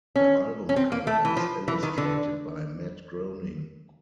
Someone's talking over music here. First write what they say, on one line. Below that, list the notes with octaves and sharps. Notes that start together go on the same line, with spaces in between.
The album cover is illustrated by Matt Groening.
C#4
C#4
C4
A#3
A3
E3
F3
E3
D#3
D3